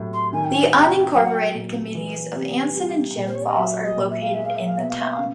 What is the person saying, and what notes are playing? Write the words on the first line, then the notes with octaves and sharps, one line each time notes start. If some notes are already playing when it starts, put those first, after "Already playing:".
The unincorporated communities of Anson and Jim Falls are located in the town.
Already playing: A2 C3 F#3
C6
D#3 G#5
G5
G#5
C3 G5
F#3 G5
F#5
G5
A#2
E3
C3
G3
A#2
C5
C#5
D5
D#5
F#3 E5
D#5
A#2
E5
F5
G#3 E5
F5
E5
F5
B2 E5
F5
E5
F5
C#3